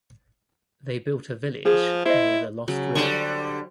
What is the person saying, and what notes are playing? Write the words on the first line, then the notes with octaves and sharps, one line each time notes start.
They built a village near the Lost River.
F3 G#4
E4 C5 D#5
C#3 F#3
D3 G3 C5 C#6